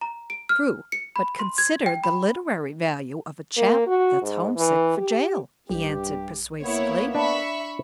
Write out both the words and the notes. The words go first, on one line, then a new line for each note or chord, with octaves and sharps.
"True--but consider the literary value of a chap that's homesick for jail," he answered, persuasively.
A#5
D7
F6
C#7
B5
C6
G#6
G5
B5
A#3
F#4
G#2
E3
G4
B1 G2 G4
A#3 B3 E4 C#5
D4 E5 B5 C#6